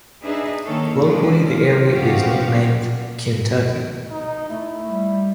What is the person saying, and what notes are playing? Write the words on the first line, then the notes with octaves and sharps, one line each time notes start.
Locally the area is nicknamed "Kentucky".
D4 D#4 G#4 B4 E5
D#3 A#3 A4 C#5
C#3 F3 F#3 G#3 D4
F4
F#2 B2 F3 F#4 G4 F5
D#4
A3 E4
G3